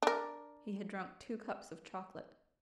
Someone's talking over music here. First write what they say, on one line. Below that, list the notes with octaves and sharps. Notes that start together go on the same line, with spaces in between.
He had drunk two cups of chocolate.
D4 A#4